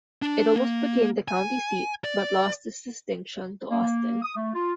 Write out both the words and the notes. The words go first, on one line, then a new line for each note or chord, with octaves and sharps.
It almost became the county seat but lost this distinction to Austin.
D4
A#3
G#5
D5
A#3
D#6
A3
F4